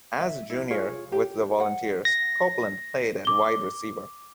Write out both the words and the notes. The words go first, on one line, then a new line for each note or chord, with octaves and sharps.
As a junior with the Volunteers, Copeland played at wide receiver.
E5
E4
F4 G#4 C#5
G4
F#5
A#6
D6 G7